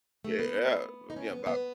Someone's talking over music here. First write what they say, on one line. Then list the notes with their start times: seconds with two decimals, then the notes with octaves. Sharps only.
Yeah, yeah. Yeah, about
0.24 A3
0.39 B3
1.10 D#4
1.16 C#4
1.31 B3
1.47 B3